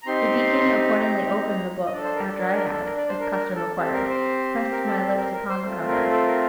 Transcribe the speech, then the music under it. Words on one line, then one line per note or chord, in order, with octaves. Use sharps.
The deacon accordingly opened the book, after I had, as custom required, pressed my lips upon the cover.
A#5
C4 D#4 G4 C6
A#5
D#5
D4 A4 D5
C5
A#4
A4
A#4
A#4
A4
A#4
D5
C5
A#4
A#4
A4
C4 G4 A4
A#4
C5
A#4
A4
A4
A#4
A#4
C5
A3 C4 F4 C5
A#4
A4
A#4